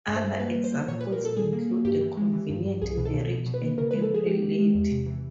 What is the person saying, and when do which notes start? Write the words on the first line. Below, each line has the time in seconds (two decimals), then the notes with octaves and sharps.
Other examples include "The Convenient Marriage" and "April Lady".
0.08 G2
0.16 C5
0.24 G3
0.40 A#3 B4
0.56 G3
0.64 C5
0.72 A#3
0.88 A#2 C#5
1.01 A#2 B4
1.12 A#4
1.21 A#2 A4
1.37 G3 G#4
1.53 A#3
1.69 A#3
1.85 G2 G4
2.01 E3
2.17 G#3
2.33 E3
2.50 G2
2.65 G2
2.82 C2 G#4
2.98 B2
3.05 A4
3.14 B2
3.30 B2
3.46 B2
3.54 B4
3.62 A#3
3.78 C#3 A#4
3.91 G#3 B4
4.02 A4
4.10 F3 G#4
4.26 G#3 G4
4.43 F#2
4.59 G#3
4.75 E2
4.91 C3
5.06 E3